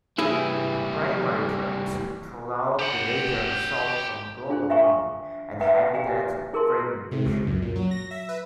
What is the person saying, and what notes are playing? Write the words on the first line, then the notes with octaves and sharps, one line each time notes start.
The primary threats throughout the region result from global warming and habitat fragmentation.
E3 G3 E4 G#4
G4 F#5
D4 F4 G#4 C5
E5 F5 G5 G#5 A#5 C#6
B4 E5 F#5 G5 A#5
G4 F5 G5 G#5 A#5
E4 G#4 A#4 A5 C6
C3
C#2
F#2
A#2
F#3
A#6
E5
B4